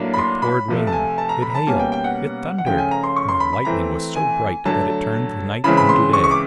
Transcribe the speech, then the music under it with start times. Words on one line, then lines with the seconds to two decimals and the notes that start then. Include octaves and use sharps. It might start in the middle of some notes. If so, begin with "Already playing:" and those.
It poured rain, it hailed, it thundered, and the lightning was so bright that it turned the night into day.
Already playing: A2 F#3 A#3 D4
0.13 B5
0.18 C6
0.42 B5
0.68 C3 F3 A3
0.87 A5
0.92 G#5
1.18 A5
1.29 A#5
1.42 B5
1.50 A#5
1.55 A5
1.67 B2 G3 A#3 C#4 G#5
1.80 G5
1.92 G5
2.04 F#5
2.58 F#5
2.66 C#3 F3 A3 C#4 G5
2.78 G#5
2.91 A#5
3.03 C6
3.16 C#6
3.29 C6
3.40 B5
3.53 B5
3.65 E3 A3 C4 A#5
4.15 G#5
4.65 D3 F#3 A3 A5
5.64 C#3 E3 G#3 C4 B5
5.77 B5
5.89 C6
6.13 C#6
6.24 C#6
6.31 D6